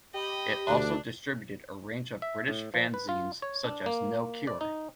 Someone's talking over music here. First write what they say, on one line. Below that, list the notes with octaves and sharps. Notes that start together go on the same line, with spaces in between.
It also distributed a range of British fanzines such as No Cure.
G4 D#5 B5
D2 D4
E5
A2
F3
B4
F4
C#5
D4
A#3
D5
D#4